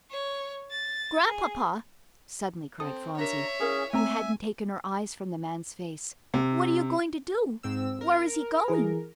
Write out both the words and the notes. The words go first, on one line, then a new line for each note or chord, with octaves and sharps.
"Grandpapa," suddenly cried Phronsie, who hadn't taken her eyes from the man's face, "what are you going to do--where is he going?"
C#5
A6
G#4
C4 A4 D#6
D4 G4 A#4 C#5 E5 A#5
C#4 E4 G#4 A#4 F5
A3 C4 E5 G#5 A#5
C3
G#2 C4 E6
A#4
E3 G#4